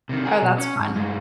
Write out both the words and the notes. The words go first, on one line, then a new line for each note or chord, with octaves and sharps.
Oh, that's fun.
C3 D#3
G#4 A#4
B2
C#4
C2 G#2
G2 G#3